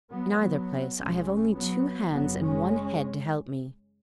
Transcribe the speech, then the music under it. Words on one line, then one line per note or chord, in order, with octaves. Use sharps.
In either place, I have only two hands and one head to help me.'
F#3 B3
F#3 B3
B1 B2 G#3 C#4
F#3 B3
F#1 F#2 C#3 F#3 B3
G#3 C#4